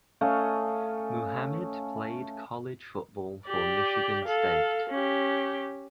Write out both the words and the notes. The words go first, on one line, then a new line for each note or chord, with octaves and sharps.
Muhammad played college football for Michigan State.
A3 C#4 D#5 F5
G4 D5
A4 F5
C#4 G4